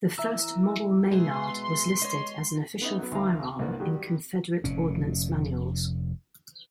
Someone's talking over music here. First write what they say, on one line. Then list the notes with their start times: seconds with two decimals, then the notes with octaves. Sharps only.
The First Model Maynard was listed as an official firearm in Confederate ordnance manuals.
0.18 E3 E5 A#5 E6
1.11 B2 G#3 B3 G#4 C6
2.02 C#5 D#5
2.81 B3 C#4 D#4 E4
2.99 F#3 B3
3.11 D2 D#3 E4 F5 A#5
3.59 C2 G2 B2 A#3 B3 D5
3.79 D#3 F#3 G3 G4
4.64 F1 A#2 C#4